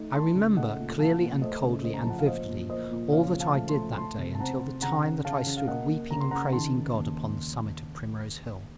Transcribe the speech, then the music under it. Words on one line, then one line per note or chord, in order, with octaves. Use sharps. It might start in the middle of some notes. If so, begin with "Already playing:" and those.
I remember, clearly and coldly and vividly, all that I did that day until the time that I stood weeping and praising God upon the summit of Primrose Hill.
Already playing: A3 D#4
D#4 A5 C6
C#3
A3 D#5 F#5
A#2
F3 F5 A5
A#2
A3 C5 D#5
C#3
A3 C5 D#5
A#5
A5
F3 F#5
F5
A#2 C5 D#5
A#2
A#3 C5 D#5
A#2
C#3 C#5 F5
F3
F5 A5
A3
A5 C6
A3
A3 A5 C6
C3
A5
C4 F#5 A#5
C4
C#3 F#5 A#5
C#3
C#3 F5 A5
C#3
F5
A#3 D#5 F#5
A#3
C#3 A#5
C6
C#3 F#5 A#5
D#3 A5 C6
D#3
D#2